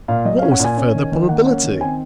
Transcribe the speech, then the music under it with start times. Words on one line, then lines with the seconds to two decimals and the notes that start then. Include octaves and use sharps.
What was the further probability?
0.08 A#2 F5
0.25 F#3 D#5
0.39 F5
0.43 C#4
0.51 F#5
0.60 A#2 G#5
0.77 C#4
0.94 D#3
1.12 D#3
1.29 A#3 F#5
1.46 C#4
1.64 D#3
1.81 C4 G#5